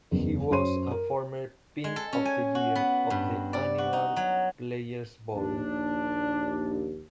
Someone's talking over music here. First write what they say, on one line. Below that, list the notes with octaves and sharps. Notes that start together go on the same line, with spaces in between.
He was a former "Pimp of the Year" of the annual Players Ball.
F#1 E2
F#2 C5 C#5 C6 D#7
A#4
G#3
A4
C#4
G#5
F#4
B3
G2
D5
F#4
D#4
F#3
A#1 D#2 D4